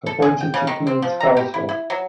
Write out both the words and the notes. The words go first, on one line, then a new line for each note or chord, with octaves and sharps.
Appointed to Queen's Council.
A4
G#4
G5
C#3
D#3
C4
F3
A#5
G4
E4
E4
F#3